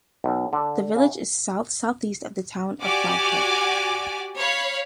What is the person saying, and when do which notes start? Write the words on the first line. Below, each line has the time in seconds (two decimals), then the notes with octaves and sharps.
The village is south-southeast of the town of Falkirk.
0.24 B1
0.53 D3
0.96 C#3
2.82 F#4 G4 D5 G#5 D6
4.36 C#5 F5 B5